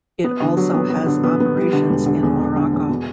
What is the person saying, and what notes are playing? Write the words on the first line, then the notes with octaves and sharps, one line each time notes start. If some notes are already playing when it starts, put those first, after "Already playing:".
It also has operations in Morocco.
B3
D3
F#3
B3
B3
D3
B3
B3
G3
D3
E1
D3
E2
E2
D3
E2
B2